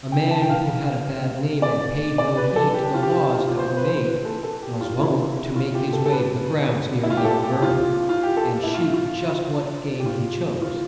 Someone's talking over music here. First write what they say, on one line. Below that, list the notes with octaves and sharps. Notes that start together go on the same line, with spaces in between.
A man who had a bad name and paid no heed to the laws that were made, was wont to make his way to the grounds near Mount Ver-non and shoot just what game he chose.
G5
A5
G5
F5
D5
D5
B4
A4
G4
F4
G4
F4
C5
B4
C5
B4
A4
A4
G4
F4
E4
F4
G4
A4
A4
B4
E4
F4
G4
A4
G4
F4
F4
G4
A4
E4
F4
F4
G4
F4
F4